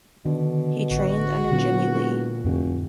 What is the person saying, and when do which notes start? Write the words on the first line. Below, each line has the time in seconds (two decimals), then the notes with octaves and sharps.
He trained under Jimmie Lee.
0.25 B2 D3 D#3
0.91 A1 F#4
1.51 E1 A#2 D3 F#3 C#4
2.44 F1 F2 A2 D3